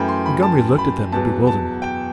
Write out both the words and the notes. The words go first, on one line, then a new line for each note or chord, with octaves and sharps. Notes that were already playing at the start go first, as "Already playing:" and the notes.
Montgomery looked at them in bewilderment.
Already playing: F#2 E3 A3 G5 B5
C6
B5
A5
B5
E2 B2 F#3 A5
A5
G5